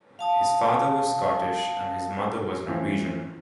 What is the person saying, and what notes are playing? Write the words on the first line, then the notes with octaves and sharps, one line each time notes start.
His father was Scottish and his mother was Norwegian.
F5 A5 D#6
A2 E3 C4 C#4 F4